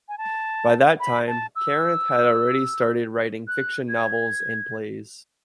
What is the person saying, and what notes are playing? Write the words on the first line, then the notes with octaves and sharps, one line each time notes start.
By that time Karanth had already started writing fiction novels and plays.
G#5
A5
B5
A5
E6
F#6
G#6